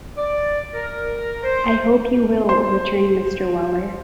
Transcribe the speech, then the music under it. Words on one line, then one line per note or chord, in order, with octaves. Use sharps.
'I hope you will,’ returned Mr. Weller.
D5
A#4
C5
C5 C6